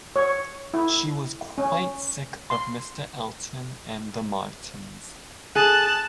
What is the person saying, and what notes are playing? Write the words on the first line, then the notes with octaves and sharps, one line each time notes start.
She was quite sick of Mr Elton and the Martins.
C#5
E4
C#4
C6
G#4 A5 F#6